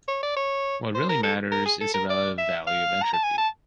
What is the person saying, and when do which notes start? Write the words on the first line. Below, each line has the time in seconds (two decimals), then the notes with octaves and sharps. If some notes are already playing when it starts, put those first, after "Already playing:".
What really matters is the relative value of entropy.
0.08 C#5
0.23 D5
0.37 C#5
0.95 C5
1.09 A#4
1.23 A4
1.52 A#4
1.65 G#4
1.81 A4
1.94 A#4
2.10 D5
2.38 E5
2.67 F5
3.03 A#5
3.13 A5
3.24 G#5
3.38 A5